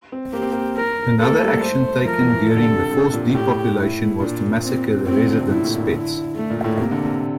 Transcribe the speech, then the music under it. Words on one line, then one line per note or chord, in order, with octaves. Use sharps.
Another action taken during the forced depopulation was to massacre the residents' pets.
C4
A#3 G4
C4
A#3
A#4
A#3 A4
A3
G3
A3
C5
F3 A#4
E3
A#2 A4
D3
C3
D3
C3
A#2
A2 G4
E4
A#2 D4
C4
A2 C4
A#2
D3
C3
A#2 E4
A2
A#2
D3 E4
A3
A#2
A2
C3 A#3
D3
C3